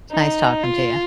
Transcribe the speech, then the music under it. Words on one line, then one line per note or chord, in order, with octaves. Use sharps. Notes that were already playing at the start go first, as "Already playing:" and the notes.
it's nice talking to you
D#4
F4